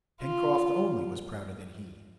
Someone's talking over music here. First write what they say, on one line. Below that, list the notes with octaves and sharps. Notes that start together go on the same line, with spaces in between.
Pencroft only was prouder than he!
F4